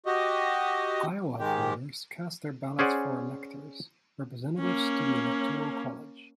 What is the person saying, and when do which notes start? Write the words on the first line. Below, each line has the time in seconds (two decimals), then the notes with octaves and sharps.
Iowa voters cast their ballots for electors: representatives to the Electoral College.
0.06 F#4 G4 D#5
1.39 G#2 D#3 G#3 G4
2.79 C#4 G#4 C5 D5 F#5
4.59 A#3 C#4